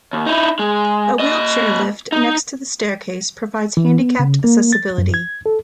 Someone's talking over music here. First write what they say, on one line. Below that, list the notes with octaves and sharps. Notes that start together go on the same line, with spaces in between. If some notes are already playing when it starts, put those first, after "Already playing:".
A wheelchair lift next to the staircase provides handicapped accessibility.
D#2
D#4 E4
G#3
A#2 D#5
D#4
E3
B3
C#3
A#3
A6
F#2
G#6
A4